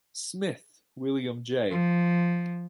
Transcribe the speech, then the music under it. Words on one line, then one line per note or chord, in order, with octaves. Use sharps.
Smith, William Jay.
F3